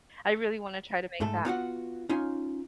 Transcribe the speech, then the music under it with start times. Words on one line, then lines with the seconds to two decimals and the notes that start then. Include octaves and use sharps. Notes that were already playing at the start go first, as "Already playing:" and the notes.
I really wanna try to make that.
1.20 G#2 A3 A4
1.45 B3 F4 F#4 F#5
2.09 C#4 D#4 F4 G#5